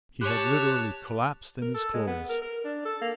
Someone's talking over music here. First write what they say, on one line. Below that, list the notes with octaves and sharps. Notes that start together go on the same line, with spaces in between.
He had literally collapsed in his clothes.
G4 C#5 A5 F#6
A#4
A4
G#3
B3
A#4
A#4
D4
A4
A#3